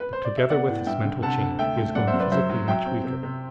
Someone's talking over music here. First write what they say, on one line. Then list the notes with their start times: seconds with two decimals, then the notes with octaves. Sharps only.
But together with this mental change he has grown physically much weaker.
0.00 B4
0.13 C5
0.25 D5
0.37 E5
0.50 B3 D5 F#5
0.69 A2
0.86 G2 E5 G5
1.05 D3
1.22 C3 F#5 A5
1.41 D2
1.59 A3 E5 G5
1.77 A3
1.95 F#2 D5 F#5
2.07 C5 E5
2.14 F#2
2.20 B4 D5
2.32 F#3 C5 E5
2.49 F#3
2.68 F#3 E5 G5
2.86 C4
3.04 C3
3.23 C3